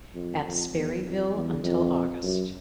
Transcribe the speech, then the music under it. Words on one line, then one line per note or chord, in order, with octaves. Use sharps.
At Sperryville until August.
F2
F2
E2
F2
E2
F2
F#2